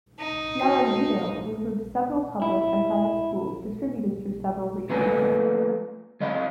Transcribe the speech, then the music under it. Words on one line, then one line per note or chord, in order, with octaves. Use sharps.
Naranjito includes several public and private schools distributed through several regions.
D#4
F#4 A5 C7
E4
F3 A3 A#3 A#4 B4 G#5
F#3 D#5 F5 A#5 B5